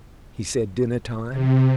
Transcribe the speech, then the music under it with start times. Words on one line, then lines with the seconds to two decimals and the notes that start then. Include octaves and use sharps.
'He said dinner-time.'
1.30 C3